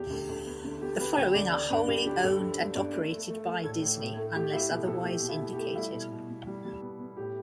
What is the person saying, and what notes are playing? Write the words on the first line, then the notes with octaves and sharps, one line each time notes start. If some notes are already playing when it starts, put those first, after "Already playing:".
The following are wholly owned and operated by Disney, unless otherwise indicated.
Already playing: E2 G4
D2
D2
B3
D3
B3 G4
B3 B4
D2 G5
D2 D5
B3 D5
G2 B4
G2 G4
D3 G4
G2 A4
G2
B3
G2
A3
A3
A3
A3
A2 A4
A2
A2
A3
A3 G4
A3 E4
B2 G4
B2 A4
A3 G4
B2
E4
B2
G4
A3
G3 E4
B2
B2
B2
G3
G3
B3
B3
A2 G4